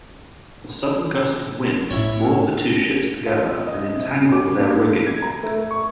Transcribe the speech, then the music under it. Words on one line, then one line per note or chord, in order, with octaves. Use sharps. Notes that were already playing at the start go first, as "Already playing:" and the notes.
A sudden gust of wind brought the two ships together and entangled their rigging.
A2 E4 C#5
F4
D#5
C3
D6
A#3
G#6
A#5
A3
C#6